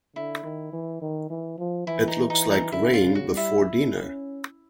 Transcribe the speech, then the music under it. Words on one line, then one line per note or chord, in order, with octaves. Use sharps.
It looks like rain before dinner.
D3 E4
D#3
E3
D#3
E3
F3
E3 E4
D#4
D#4
D#4
D3 E4
F4
C#3
F#4
G3
E4
C#4